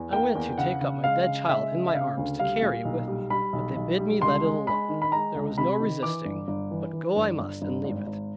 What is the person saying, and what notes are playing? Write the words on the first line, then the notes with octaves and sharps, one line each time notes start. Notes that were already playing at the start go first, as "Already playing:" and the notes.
I went to take up my dead child in my arms to carry it with me, but they bid me let it alone; there was no resisting, but go I must and leave it.
Already playing: E2
A#3 G5
E2
C#3 F#5
C#3
G#3 F5
C#3
G#3 E5
C#3
E5
C#3 F5
D2
G3 F5
A#2
B1
G3
G3 B5
B1
B1
G3
C#2 C6
G#3
G#3 B5
D#3
B5
G#3 A#5
C#2
C3 B5
D#3
E3 D6
G1
G1
E3
E3
G1
G1
G1
G#1
G#1